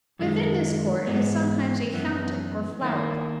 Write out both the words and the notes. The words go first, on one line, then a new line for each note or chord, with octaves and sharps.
Within this court is sometimes a fountain or flower-plot.
F#2 D#3 G#3
G#2 E3 G#3 B3
F#2 E3 B3
D#3 A#3 E4